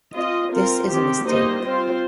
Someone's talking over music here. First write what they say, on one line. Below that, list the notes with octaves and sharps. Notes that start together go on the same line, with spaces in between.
This is a mistake.
C4 F4 D#5
C4 F4 A#4
D#3 C4 G4
G3 A#3 D#4 C5 D#5
C4 F4 C5